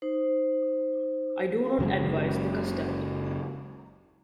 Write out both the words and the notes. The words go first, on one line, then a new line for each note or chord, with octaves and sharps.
I do not advise the custard.
D#4 C5
F#1 C#3 F#3 G#3